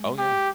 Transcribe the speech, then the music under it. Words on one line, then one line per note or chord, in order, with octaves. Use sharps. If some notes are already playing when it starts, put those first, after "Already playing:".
Oh yeah.
Already playing: G#3
G4